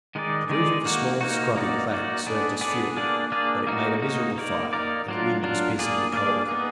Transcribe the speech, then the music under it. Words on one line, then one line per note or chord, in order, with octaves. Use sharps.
The root of a small scrubby plant served as fuel, but it made a miserable fire, and the wind was piercingly cold.
D#3 G#3 D#4 G#4 D5
D#3 G#3 D#4 G#4 D5
A#3 D#4 F#4
A#3 D#4 F#4
A#3 D#4 F#4 D5
A#3 D#4 F#4 D5
B3 D4 G#4 D5
B3 D4 G#4 D5
A#3 D4 G#4 D5
A#3 D4 G#4 D5
A#3 D#4 F#4
A#3 D#4 F#4
A#3 D#4 A#4 D5
A#3 D#4 A#4 D5
F#3 D4 F4 A#4
F#3 D4 F4 A#4
A#3 D4 G#4 D5
A#3 D4 G#4 D5
B3 D#4 G#4